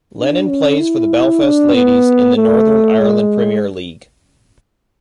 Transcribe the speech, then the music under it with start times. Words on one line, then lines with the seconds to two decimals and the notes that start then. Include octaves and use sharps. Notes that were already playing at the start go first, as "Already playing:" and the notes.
Lennon plays for Belfast Ladies in the Northern Ireland Premier League.
0.18 D4
0.49 C#4
0.80 E4
1.43 D4
1.75 B3
2.37 A3
3.00 G#3